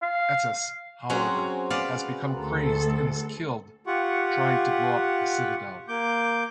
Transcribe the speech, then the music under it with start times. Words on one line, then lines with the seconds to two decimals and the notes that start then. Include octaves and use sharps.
Ettis, however, has become crazed and is killed trying to blow up the Citadel.
0.02 F5
1.10 F#3 C4 C#4 F#4 G#4 C5
1.70 B3 D5 F5
2.34 D2 A4 A#4
3.87 F4 G4 F#5 C#6
5.88 A#3 D6 G6